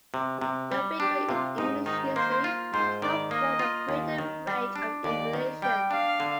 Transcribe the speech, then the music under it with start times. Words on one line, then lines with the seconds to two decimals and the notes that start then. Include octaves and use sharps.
No figure in English history has called forth a greater range of evaluations.
0.14 C3
0.41 C3
0.72 G3
1.00 D4 G4
1.28 C3 F4
1.58 G#2 D#4
1.86 D#3 D#4
2.16 A#3 C5
2.44 F4
2.73 G#2 C5
3.02 D#3 D5
3.31 A#3 D#5
3.59 F4
3.89 D#2
4.18 D#3
4.47 G3
4.76 D4
5.04 D#2 D5
5.33 D#3
5.62 G3 G5
5.91 D4 F5
6.20 D3